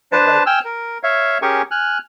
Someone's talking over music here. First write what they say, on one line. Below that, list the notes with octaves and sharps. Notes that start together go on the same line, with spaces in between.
uh, like,
D4 B4 C5 A5
G5 G#5 E6 F6
A#4
C#5 E5 F5
C#4 G4 G#4 A#4 G#5 C#6
G#5 F6 F#6